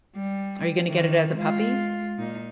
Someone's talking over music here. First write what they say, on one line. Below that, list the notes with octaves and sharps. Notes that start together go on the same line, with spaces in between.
are you gonna get it as a puppy?
G3
D#3 E3
G#3 F4
A#2 D#4